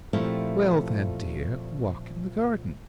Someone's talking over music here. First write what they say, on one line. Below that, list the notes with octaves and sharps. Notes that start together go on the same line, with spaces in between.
'Well then, dear, walk in the garden.'
A#2 F3 A3 C4 E4 G4